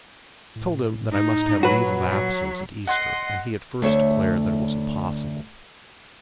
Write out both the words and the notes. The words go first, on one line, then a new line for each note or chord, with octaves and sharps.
I told him that I must have leave of absence at Easter, and he at first declared that it was impossible.
A2
D#4
A#2 F#3 F#4 B4
F#3
D#5 F#5 C6 F#6 C7
D2 C#5 E5